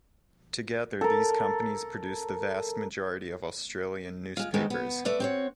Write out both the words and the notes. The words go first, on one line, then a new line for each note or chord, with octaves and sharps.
Together these companies produce the vast majority of Australian newspapers.
A4 A#4
G#3 F4
D#3 G#3 B3 C4 D#4 E4
B3
A3 B4 D5 E5
C4 F#4 C#5